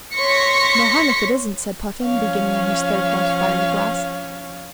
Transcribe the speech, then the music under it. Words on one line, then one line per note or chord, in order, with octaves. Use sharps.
"No harm if it isn't," said Puffin, beginning on his third most fiery glass.
C#5 C6 C#6 A#6 B6 C#7
F3 C#4 C#5 F5